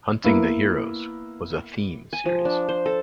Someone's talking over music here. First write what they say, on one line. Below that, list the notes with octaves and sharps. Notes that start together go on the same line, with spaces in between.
"Hunting the Heroes" was a "theme" series.
A#3 B3 E4
G#5
F3
D4
C5
A4